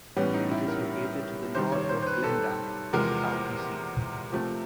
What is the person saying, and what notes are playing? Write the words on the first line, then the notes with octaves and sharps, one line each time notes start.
It is located to the north of Glendive, the county seat.
A2 E3 G3 B3 C#4
D#4
E4
A#4
C3 D#3 G3 C5
C#5
C#5
C5
C5
B4
A4
E2 C3 F3 G#3 A#4
C3 F3 A3 C4